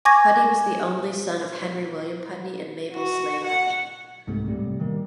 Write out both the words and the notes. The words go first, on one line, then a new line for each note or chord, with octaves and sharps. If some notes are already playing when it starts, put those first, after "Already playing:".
Pudney was the only son of Henry William Pudney and Mabel Sleigh Pudney.
G#5 C#6 D6 G#6 A#6
F#4
F#5
C2 G#2 C3 A3
A2 C3 G3
D#3 G3 A#3